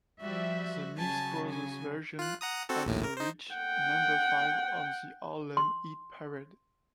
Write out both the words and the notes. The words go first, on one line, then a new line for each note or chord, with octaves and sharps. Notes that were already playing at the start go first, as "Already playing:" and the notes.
The Mills Brothers version also reached number five on the Harlem Hit Parade.
F3 G3 F#4 E5
C#3 F#3 G#5 A5
G#5
F4 F#6
F#5 A#5 D#6
C4 F#4 A4
A#1 D#2 A2
A#4
D#4 C5
F#5 G5
C6